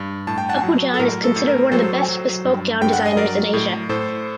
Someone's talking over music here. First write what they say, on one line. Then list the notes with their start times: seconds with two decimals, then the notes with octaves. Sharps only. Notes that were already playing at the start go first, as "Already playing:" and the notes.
Apu Jan is considered one of the best bespoke gown designers in Asia.
Already playing: G2
0.27 A2 A5
0.38 G5
0.49 F#5 A5
0.63 F#3
0.94 A4
0.99 A2 A#4
1.24 A4
1.36 A2
1.47 A#4
1.72 F#3 A4 C5
2.08 F#3
2.45 G2
2.81 G2 G5
2.93 F#5
3.06 D#5
3.17 F#3 A#4 D5
3.53 A2
3.89 A2 A4 C5